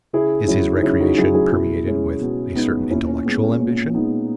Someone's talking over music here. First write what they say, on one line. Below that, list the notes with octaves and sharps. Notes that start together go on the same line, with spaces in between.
Is his recreation permeated with a certain intellectual ambition?
C#3 E4 G#4
F#3 C#4 E4
D#4
C#3 C#4 E4
D#4 F#4
F#3 E4 G#4
E4 G#4
B2 E4 G#4
G#3 C#4 E4
B2
G#3 B3 D#4
A#2 C#4 E4
C#4
G#3 B3
C#4
A#2 C#4
G#3 B3 D#4